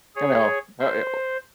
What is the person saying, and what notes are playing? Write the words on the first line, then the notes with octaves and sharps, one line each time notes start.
you know, uh yeah, well
G#4 C#5
C5